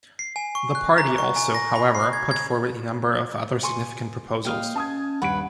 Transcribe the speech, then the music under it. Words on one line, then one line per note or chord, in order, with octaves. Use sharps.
The party also, however, put forward a number of other significant proposals.
C7
G#5
C#6
F#6
A#5
C#6
G#5
A#6
B5
C7
G#6
G#6
G#5 C6 C#6
A#3 D#5 F5 G5
C#4 A5 D#6 G#6
D#1 G2 B4 C#5 F#5 D7